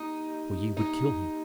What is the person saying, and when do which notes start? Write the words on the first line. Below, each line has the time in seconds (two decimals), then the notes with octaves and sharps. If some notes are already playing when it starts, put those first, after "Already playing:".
"For ye would kill him."
Already playing: A#3 D#4 G4 D#5
0.27 A#3 G4 D#5
0.77 A#3 D#4 G4 D#5
1.28 G4 D#5